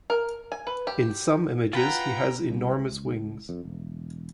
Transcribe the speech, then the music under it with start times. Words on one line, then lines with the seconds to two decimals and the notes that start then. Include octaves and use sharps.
In some images he has enormous wings.
0.10 A#4
0.52 G#5
0.67 B4
0.87 G4
1.73 F4 B4 F#5 G5 A#5
2.50 C2
2.77 C#2
3.49 F2
3.65 E1